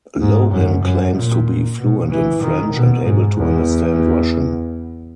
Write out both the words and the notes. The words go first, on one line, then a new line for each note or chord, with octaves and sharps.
Lohan claims to be fluent in French and able to understand Russian.
G#2
F#2
F#2
A#2
B2
E3
D#3
B2
G#2
E2